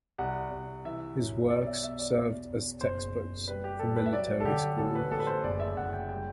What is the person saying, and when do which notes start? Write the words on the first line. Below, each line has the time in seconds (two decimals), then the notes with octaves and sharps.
His works served as textbooks for military schools.
0.18 C2 F#5
0.51 C2
0.85 E3 E5
1.18 F#2
1.50 B1 D5
1.66 E5
1.83 B1 E5
1.99 D5
2.16 E1
2.49 E1
2.81 F#1 C5
3.15 F#1
3.48 G3 B4
3.64 G4
3.79 G3 A4
3.96 B4
4.06 E5
4.13 F#3 D5
4.40 A4
4.45 D3 G4
4.78 A1 A4
4.95 B4
5.11 A1 A4
5.20 B4
5.27 C5
5.43 F#1 D5
5.60 E5
5.77 F#1 F#5
5.93 G5
6.09 G3 G5